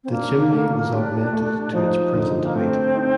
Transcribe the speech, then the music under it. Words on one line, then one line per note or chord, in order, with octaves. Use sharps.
The chimney was augmented to its present height.
C4
A#3 D4
A3
D4 G4
A3
F3 D#4
D3
A#3
A3 C4
D#4